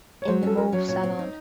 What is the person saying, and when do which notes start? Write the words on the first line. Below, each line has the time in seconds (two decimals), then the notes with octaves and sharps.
In the mauve salon.
0.22 C#5
0.27 F#3 C5
0.43 C#4 A4
0.57 C#4 A#4
0.72 F#3 C#5
0.88 A#2 C#5
1.03 C4
1.19 D#4